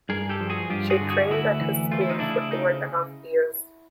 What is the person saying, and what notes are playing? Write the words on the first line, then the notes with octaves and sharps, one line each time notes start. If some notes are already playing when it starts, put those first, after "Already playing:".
She trained at his school for two and a half years.
G2 G#4 A#4
G4 A4
F3
F#4 G#4
G2 F4 G4
F#4 G#4
D3
F#4 G#4
D2 E4 F#4
E3
A3 F4
E4
D#4
C#3 D4 E4
D#4